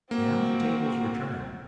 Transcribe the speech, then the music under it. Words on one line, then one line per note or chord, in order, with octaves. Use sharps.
Now the tables were turned.
A#3 C4 F#4